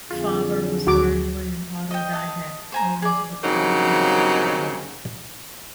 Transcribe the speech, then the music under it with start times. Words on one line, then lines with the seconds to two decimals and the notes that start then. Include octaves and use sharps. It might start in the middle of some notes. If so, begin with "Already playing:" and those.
Fabre was largely an autodidact, owing to the poverty of his family.
0.11 F2 G#2 D3 F4 G#4
0.87 D2 F#4 D6
1.91 D#5 G5
2.13 D#5 A5
2.72 C5 G#5 A#5
3.02 G#4 D5
3.43 G2 C#3 F#3 A#3 C4 D#4